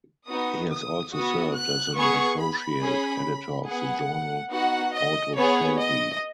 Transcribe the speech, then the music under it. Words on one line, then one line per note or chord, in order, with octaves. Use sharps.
He has also served as an associate editor of the journal "Autophagy".
B3 D#4 F#4 D#6
D#6
B3 F#4 D#6
F#6
B3 G#4 C#6
B5
C#4 G#4
B3 G#4 F#5
B3 D#4 F#4 F#5
D#5
B3 G#4 C#5
D#5